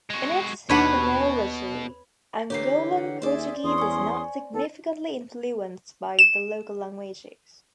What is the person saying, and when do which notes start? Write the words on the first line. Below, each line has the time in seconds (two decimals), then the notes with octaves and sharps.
In its phonology, Angolan Portuguese is not significantly influenced by the local languages.
0.10 G#3 F#4
0.69 D#2 B2 D4 B4 C#5 F#5
2.50 D3 E3 A#3 G4 C#5 C7
2.93 F#5
3.22 D#2 G#4 C5 D5 E5
3.64 E2 C#4 C6 D#6
3.78 G#5 C#6
4.53 D#2 A4
6.19 E7